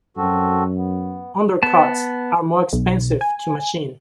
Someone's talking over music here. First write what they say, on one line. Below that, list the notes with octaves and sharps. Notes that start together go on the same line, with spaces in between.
Undercuts are more expensive to machine.
F#2 C4 F#4 A4
B3
B3 A5
B1
G#5